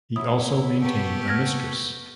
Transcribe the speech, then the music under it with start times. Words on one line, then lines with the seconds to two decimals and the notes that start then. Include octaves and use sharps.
He also maintained a mistress.
0.16 F#3 E4 E5 D#6
0.81 B3 F#4 G4 A4 C#6
1.28 F6 G#6 A#6